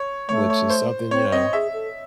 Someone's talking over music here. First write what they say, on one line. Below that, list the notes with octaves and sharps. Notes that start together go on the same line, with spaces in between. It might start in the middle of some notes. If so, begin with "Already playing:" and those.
which is something, you know,
Already playing: C#5
A3 C#5
C#5
C5
C4 C#5
C4 D#5
G#4 E5
A4